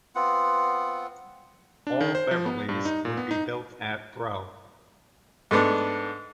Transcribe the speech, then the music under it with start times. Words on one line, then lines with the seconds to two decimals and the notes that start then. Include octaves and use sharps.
All Beverleys would be built at Brough.
0.15 B3 C4 F4 F#5
1.87 D4
2.01 D#3
2.15 C5
2.31 F3
2.46 B3
2.69 G2
2.85 D#4
3.05 A#2
3.17 B3
3.31 D#4
5.51 G#2 A3 B3 D4